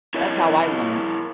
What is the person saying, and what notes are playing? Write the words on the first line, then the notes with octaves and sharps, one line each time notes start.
that's how I learned.
E4 A#4 C#5 D#5